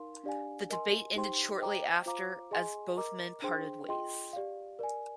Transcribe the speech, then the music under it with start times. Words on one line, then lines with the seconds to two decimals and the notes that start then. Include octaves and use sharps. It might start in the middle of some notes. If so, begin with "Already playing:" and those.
The debate ended shortly after as both men parted ways.
Already playing: D#4 A#4 F5 C6
0.24 D4 G4 D5 F5 G#5
0.70 A#4 D#5 G#5 C6
1.15 D#4 G4 C5 G5 C6
1.60 C5 D#5 G5 A#5 D6
2.06 F4 C5 F5 A#5 D6
2.51 G#4 D#5 G#5 C6
2.97 A#4 D#5 A#5 D6
3.42 D4 G#4 C5 G5 C6
3.88 F4 G#4 D#5 G5 C6
4.33 G4 D5 F5
4.79 A#4 D5 G#5